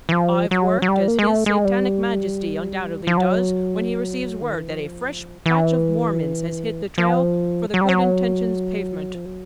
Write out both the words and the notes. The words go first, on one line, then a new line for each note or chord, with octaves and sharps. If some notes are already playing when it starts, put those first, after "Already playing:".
I've worked as His Satanic Majesty undoubtedly does when he receives word that a fresh batch of Mormons has hit the trail for the good-intentions pavement.
E3
F3
F#3
F#3
G3
A#3
G#3
A3
G#3
G3
F3
F#3
D#3
E3
F3
E3
F3
F#3
G3
F#3
F3
F#3